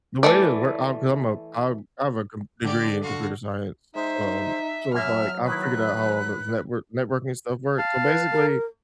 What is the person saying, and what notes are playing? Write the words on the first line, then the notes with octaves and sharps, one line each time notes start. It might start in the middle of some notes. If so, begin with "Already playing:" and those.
the way that it work I 'cause I'm a I I have a com degree in computer science, um, so it's like I've figured out how all the network networking stuff works so, basically,
E3 F3 A3 D5
D3 G4 D5
F#4 F5
G#3 D#4 C5 E5
F#2 F#3 A#3 E5 F6
D#3 A#3 E4 B4 F#6
F5 A5
B4
A#4